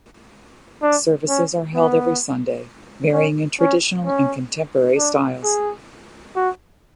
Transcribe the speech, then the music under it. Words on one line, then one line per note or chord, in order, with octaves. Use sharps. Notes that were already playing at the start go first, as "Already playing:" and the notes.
Services are held every Sunday, varying in traditional and contemporary styles.
D4
C#4
B3
C#4
C#4
C#4
D4
G#4
F#4